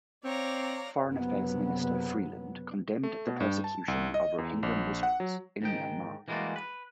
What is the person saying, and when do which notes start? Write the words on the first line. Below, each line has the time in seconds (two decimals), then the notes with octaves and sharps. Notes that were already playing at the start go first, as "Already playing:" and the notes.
Foreign affairs minister Freeland condemned the persecution of Rohingya Muslims in Myanmar.
0.24 C4 C#5 D5 F5 A#5
1.08 F#1 C3 F#3 B3
3.03 A3
3.27 B2
3.40 G2
3.64 A5
3.88 C2
4.14 D#5
4.38 E2
4.63 A#1
5.03 F#5
5.20 F#3
5.62 G#2 D#3 G5
6.28 E3 G3 G#3 A#3 F#4 D5
6.56 B4